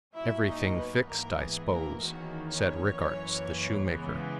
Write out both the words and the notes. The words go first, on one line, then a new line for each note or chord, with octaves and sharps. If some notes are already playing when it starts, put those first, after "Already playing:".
"Everything fixed, I s'pose?" said Rickarts, the shoemaker.
G#2 F#3 A#3 C#4 E4 E5
D#4 D#5
B3 B4
G#2 E3 A#3 B3 A#4
G#4
A#3 A#4
E2 D#3 A#3 C#4 F#4
C#4 C#5
F#2 E3 A#3 C#4
C#3 E3 G#3 B3